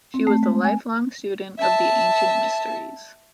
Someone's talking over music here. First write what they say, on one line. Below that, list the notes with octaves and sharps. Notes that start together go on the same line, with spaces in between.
She was a lifelong student of the ancient mysteries.
C4
A3
G#3
G#5
E5 A5